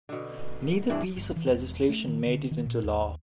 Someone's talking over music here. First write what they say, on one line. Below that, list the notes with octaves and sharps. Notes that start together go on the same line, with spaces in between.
Neither piece of legislation made it into law.
B2 D3
G2 E3 D4
G1
E3
E1
A3
D#3
D3
D#3
A#2
D#2